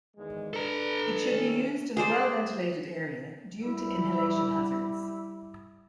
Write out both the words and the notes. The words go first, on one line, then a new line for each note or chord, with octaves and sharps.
It should be used in a well-ventilated area due to inhalation hazards.
E2 D#3 G#3
D4 A4 B4 A#5
C3 D#3 C#4
G#4 C5 D5
G3 E4